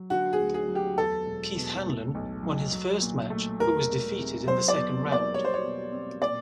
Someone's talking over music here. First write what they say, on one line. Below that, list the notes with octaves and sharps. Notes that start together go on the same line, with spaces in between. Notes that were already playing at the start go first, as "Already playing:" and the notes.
Keith Hanlon won his first match, but was defeated in the second round.
Already playing: F#3
D3 F#4
G#4
D2
G#4
F#3
G4
E2 A4
E1
B2
A2
B1
F#3
F#3
A#2
A3
E2 A#4
E1
C3
F#3 C5
D5
B2
A#3
D5
G3 C#5
C5
C#5
B2
C4
A#2 D5